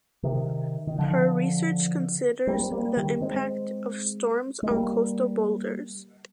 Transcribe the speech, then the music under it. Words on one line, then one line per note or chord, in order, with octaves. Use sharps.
Her research considers the impact of storms on coastal boulders.
C3 D#3
D#3
D3 F3
G3 A#3
C4
G3 A#3
D#3 G3
G#3 C4
G#3
G3 A#3